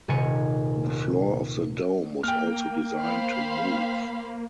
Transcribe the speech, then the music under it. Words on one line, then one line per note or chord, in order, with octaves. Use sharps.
The floor of the dome was also designed to move.
D#1 C3 D#3 G#5 G#6 C#7
A#3 G5 F6
C5 F5 B5